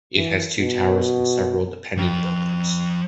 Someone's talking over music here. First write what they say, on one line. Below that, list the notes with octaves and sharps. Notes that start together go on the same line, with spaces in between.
It has two towers and several dependent buildings.
E3
B2
F3 G5